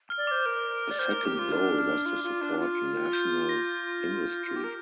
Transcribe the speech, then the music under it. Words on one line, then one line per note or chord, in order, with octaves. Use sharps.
A second goal was to support national industry.
F6
D5
D6
C5
A#4 F6
D5
C5 F6
A#4
G4 D6
F4
D4 F6
F6
F4
F4
D4
F4
F6
G6
A#6
F4
G4
A#4